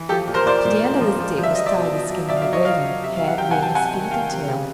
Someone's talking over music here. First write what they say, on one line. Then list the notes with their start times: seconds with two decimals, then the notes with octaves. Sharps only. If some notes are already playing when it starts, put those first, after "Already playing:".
To the end of the stick was tied the skin of a raven--head, wings, feet, and tail.
Already playing: E3
0.09 F3 G4 A4
0.27 A#2
0.34 A#4 C5
0.46 A#2 C5 D5
0.65 A#2
0.83 A#2
1.01 F3
1.19 F3
1.38 F3
1.43 E5
1.55 F#3 D#5
1.66 D5 E5
1.74 B2
1.92 B2
2.11 F#3
2.29 B2 D5 E5
2.37 F5
2.41 D5 E5
2.47 F#3
2.53 C#5 D#5
2.65 F#3 D#5 F5
2.84 F#3
3.02 C3 E5
3.16 F#3 F5
3.27 F#5
3.38 C3 F5 G5
3.51 F#5 G#5
3.57 F#3
3.62 G5 A5
3.75 C3 F#5 G#5
3.93 D#3
4.11 D#3 F5 G5
4.30 C3
4.48 C#3